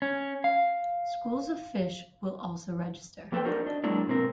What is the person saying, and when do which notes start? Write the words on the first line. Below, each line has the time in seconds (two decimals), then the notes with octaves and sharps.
Schools of fish will also register.
0.02 C#4
0.44 F5
3.32 F2 A#3 A4 B4 C5 G5
3.44 D4 D#4 F#4 A#4 C5
3.66 D4 D#5
3.84 F#3 G#3 A#3 D4 E4
4.07 G#2 B2 C4 A#4